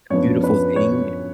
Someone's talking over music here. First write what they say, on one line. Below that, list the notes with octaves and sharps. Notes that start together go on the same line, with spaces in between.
beautiful thing
F#2 F3 B3 D4 C#5
B4
C#5